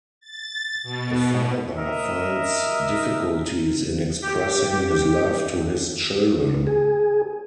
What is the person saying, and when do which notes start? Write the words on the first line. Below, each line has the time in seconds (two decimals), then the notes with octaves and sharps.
A father finds difficulties in expressing his love to his children.
0.21 A6
0.83 B2
1.77 A#4 D#5 E5
4.22 G4
6.67 G#4